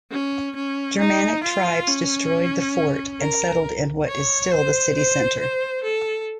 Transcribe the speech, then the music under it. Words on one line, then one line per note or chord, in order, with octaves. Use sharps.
Germanic tribes destroyed the fort and settled in what is still the city centre.
C#4
C#4
D#4
F4
C#4
A#4
C#5
C5
C5
C5
A4